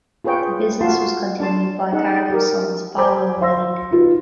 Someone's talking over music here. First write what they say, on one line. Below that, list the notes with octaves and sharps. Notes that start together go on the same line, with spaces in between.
The business was continued by Carlo's sons Paolo and Davide.
F4 G#4 B4 C#5 G5
F4 F#4 A5 C6
D4 A5 C6
D#4 G#4 F#5
G4 A#4
C5 G#5 A#5 B5 D6 G6
C5 F5 C6 E6 A#6
D#4 F4 B4